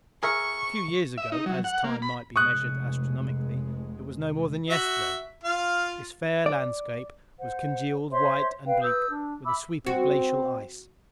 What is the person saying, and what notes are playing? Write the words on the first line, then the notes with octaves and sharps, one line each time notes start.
A few years ago--as time might be measured astronomically, it was no more than yesterday--this fair landscape was congealed white and bleak with a sweep of glacial ice.
G#4 A#4 E5 C#6
E5
D#4
F#3
F#5
A#3
B5
F1 G#3 C#6 D#6 F#6
F#4 E5
F4 F5
D5
C5 F#5
C5 C#5 E5 C6
B4 F5 G5
B4 D#6 E6 G6
D4
E5 B5 D6 E6
C4 F#4